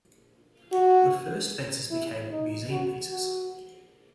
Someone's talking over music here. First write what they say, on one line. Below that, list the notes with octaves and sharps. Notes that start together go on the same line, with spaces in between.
The first fences became museum pieces.
F#4
E4
D#4
F#4
F#4